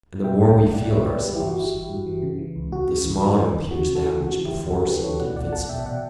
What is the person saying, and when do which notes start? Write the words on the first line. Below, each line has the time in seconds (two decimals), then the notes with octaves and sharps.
And the more we feel ourselves, the smaller appears that which before seemed invincible.
0.24 B2 E5 G5
0.41 C#2
0.49 E5 G5
0.57 C#2
0.73 B2 D5 F#5
0.90 B2 C#5 E5
1.07 C#2 B4 D5
1.23 G2 G4 B4
1.35 E4 G4
1.39 E3
1.48 F#4
1.56 G1 E4 G4
1.73 G1
1.90 G2
2.06 E3
2.22 C#3
2.38 E3
2.56 C#2
2.72 C#2 F#4
2.88 C#3
3.05 E3
3.22 C#3
3.38 E3
3.54 D2
3.71 D2 F#4
3.88 C#3
3.95 F#4 A4
4.05 E3
4.20 C#3 F#4
4.37 E3
4.45 E4 G4
4.54 D2
4.70 D2 F#4 A4
4.86 C#3 G4 B4
5.03 E3 A4 C#5
5.19 B2 D5 F#5
5.36 B1 D5 F#5
5.52 B1 F#5 A5
5.69 B2 E5 G5
5.86 B2 D5 F#5